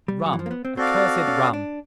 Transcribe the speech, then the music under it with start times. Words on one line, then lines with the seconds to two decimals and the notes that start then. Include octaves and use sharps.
RUM, accursed RUM!
0.08 G3
0.26 F#3
0.33 E3
0.39 F3
0.46 A#3
0.51 B3
0.65 C4
0.77 C4 F#4 A4 D5 F5
1.28 C#4
1.53 D4